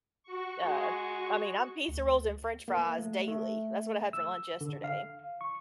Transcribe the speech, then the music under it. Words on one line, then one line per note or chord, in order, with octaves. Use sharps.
uh I mean, I'm pizza rolls and French fries daily. That's what I had for lunch yesterday.
F#4 C#6
G#3 G#5
D2
A#3
A3
A3
E6
D3
F5
C#6